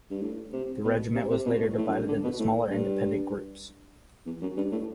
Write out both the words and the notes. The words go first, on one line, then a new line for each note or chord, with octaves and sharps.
The regiment was later divided into smaller independent groups.
G2
A2
C3
B2
C3
C3
B2
A2
A2
F#2
G2
D3
B2
A2
G2
E2
F#2
G2
A2